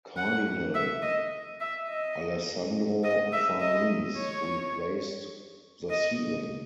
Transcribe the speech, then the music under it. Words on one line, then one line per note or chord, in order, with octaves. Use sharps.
Cardinal Alessandro Farnese replaced the ceiling.
F#5
E5
D#5
E5
D#5
D#5
E5
D#5
C#5
D#5